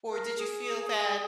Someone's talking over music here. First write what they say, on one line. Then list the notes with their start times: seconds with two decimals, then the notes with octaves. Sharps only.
Or did you feel that
0.10 A#4
0.38 G#4